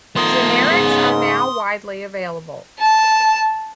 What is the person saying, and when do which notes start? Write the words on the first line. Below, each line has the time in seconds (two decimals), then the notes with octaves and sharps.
Generics are now widely available.
0.16 D#3 F3 A3 B3 A#4 C6 D#6
0.70 G#2 C#3
2.80 A5